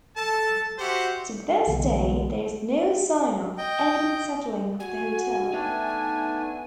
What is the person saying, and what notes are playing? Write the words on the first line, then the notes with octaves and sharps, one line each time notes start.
To this day there is no sign of evident settling of the hotel.
A4 A5
F#4 G4 C5 E5 F#5
B1 D3 E3 G#3 B3
D#5 G5
F#4 G#5
A3 B3 D4 D#4 E5 G5